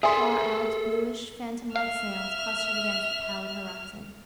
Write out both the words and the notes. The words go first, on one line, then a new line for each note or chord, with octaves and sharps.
Far out, bluish, phantom-like sails clustered against the pallid horizon.
G#4 A4 E5 G#5 C6 D#6 B6
E5 F5 F6